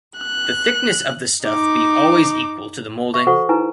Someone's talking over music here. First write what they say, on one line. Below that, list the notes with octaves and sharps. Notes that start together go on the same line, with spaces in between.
The thickness of the stuff be always equal to the moulding.
F#6
D#4 D6
E5 C#6
F#4 A4 C5 F#5 C6 C#6
D#4 E4 B4 G#5 A#5